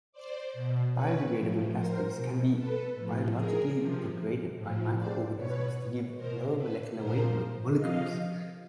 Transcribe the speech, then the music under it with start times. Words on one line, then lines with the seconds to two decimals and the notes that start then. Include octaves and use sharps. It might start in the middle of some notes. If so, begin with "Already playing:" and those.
Biodegradable plastics can be biologically degraded by microorganisms to give lower molecular weight molecules.
0.12 C5 D5
0.54 B2
0.94 B4 C#5
1.34 A2 F3
1.73 A#4 C5
2.14 B2
2.54 A4 B4
2.94 A2
2.99 F3
3.34 G#4 A#4
3.75 C3 F3
4.55 A2 F3
4.96 C5 D5
5.35 B2 B4 C#5
6.16 B2 A#4 C5
6.56 A4 B4
6.96 A#2 F3 A#4 C5
7.76 C3 F3 D#5 F5